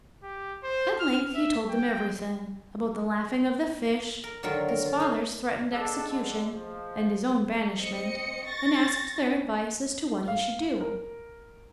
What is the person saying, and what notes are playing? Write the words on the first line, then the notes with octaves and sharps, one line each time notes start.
At length he told them everything--about the laughing of the fish, his father's threatened execution, and his own banishment--and asked their advice as to what he should do.
G4
C5
F6
E5
G5
A#4
D3 D#3 F#3 F4 A#4
A#4
F4
C#4 F5
B1 D4 G#4 A4 D#5
G#2 D3
F3
C4 D#5 C#7
C#6 A6 A#6
F5
A#4